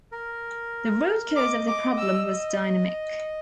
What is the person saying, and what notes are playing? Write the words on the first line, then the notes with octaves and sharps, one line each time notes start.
The root cause of the problem was dynamic.
A#4
D#5 D6
D6
E6